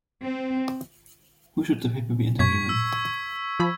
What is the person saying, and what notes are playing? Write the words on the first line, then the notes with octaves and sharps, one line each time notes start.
Who should the paper be interviewing?
C4
F#2 C#6 G#6 B6
E6
F3 B5